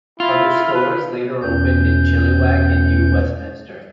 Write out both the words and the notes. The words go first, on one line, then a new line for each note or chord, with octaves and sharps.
Other stores later opened in Chilliwack and New Westminster.
E4 F4
B4
E2 B2 C#4 B4 G6